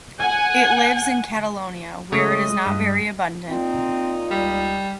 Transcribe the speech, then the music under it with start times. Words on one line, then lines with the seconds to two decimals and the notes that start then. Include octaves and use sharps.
It lives in Catalonia, where it is not very abundant.
0.19 F#5 G#5
2.12 C#3 G#3 A3 C#5 D#5
2.66 G2
3.49 A#2 C4 D#4
4.31 C#2 G3